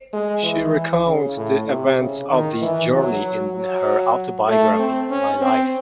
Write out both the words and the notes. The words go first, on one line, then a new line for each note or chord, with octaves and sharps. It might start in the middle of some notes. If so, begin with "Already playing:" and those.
She recounts the events of the journey in her autobiography, "My Life".
G#3
E3
C#3
A2
C3
C#3
D#3
E3
F#3
F#3
A3
C4
C#4
C4